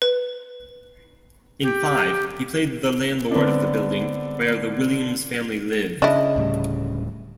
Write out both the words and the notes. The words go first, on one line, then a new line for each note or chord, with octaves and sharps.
In five, he played the landlord of the building where the Williams family lived.
B4
G4
D3 B3 C4 D4
C#3 D4 E4 D#5
D1 A2 G3